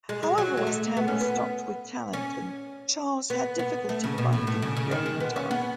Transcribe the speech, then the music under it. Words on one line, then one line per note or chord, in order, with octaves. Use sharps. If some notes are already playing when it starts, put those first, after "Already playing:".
However, West Ham was stocked with talent and Charles had difficulty finding playing time.
G#3
G#3
F#3
G#3
A3
B3
C#4
B3
C#4
B3
B3
A3
C#3
B2
A2
A2
C#3
C#3
D#3
G#3
B3
C#4
B3